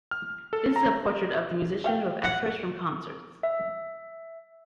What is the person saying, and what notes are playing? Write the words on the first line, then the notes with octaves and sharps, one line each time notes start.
This is a portrait of the musician with excerpts from concerts.
F6
A4
A#5
A3 F5 G5
F#5
E5